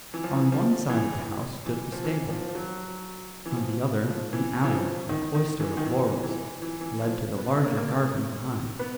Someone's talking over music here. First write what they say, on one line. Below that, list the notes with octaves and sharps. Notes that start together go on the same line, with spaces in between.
On one side of the house stood the stable, on the other an alley or cloister of laurels led to the larger garden behind.
E3
F3
E3
F3
E3
E3
F3
E3
F3
F3
F#3
E3
F3
F3
E3
E3
F3
D#3
D#3
E3
D#3
E3
E3
E3
E3
F3
B3
A#3
A#3
A3
B3